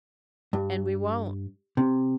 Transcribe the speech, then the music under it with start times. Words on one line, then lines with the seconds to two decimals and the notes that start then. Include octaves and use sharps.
And we won't.
0.53 G2
1.77 C3